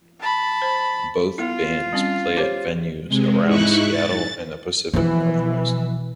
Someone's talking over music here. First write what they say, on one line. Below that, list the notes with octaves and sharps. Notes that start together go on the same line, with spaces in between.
Both bands play at venues around Seattle and the Pacific Northwest.
A5 B5
C5
B3 E4 F4
G3 C4 C#4
G4 C5 C#5
C3 G#3
G#2 D#4 E4 C#6 F#6
A6
B2 E3 F3 E4